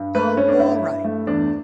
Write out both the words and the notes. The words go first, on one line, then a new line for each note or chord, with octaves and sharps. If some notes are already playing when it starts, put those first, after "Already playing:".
Oh, all right.
Already playing: G2
A3 B4
A3 C#4
D4
G2 E4
G2
A3
E2 D4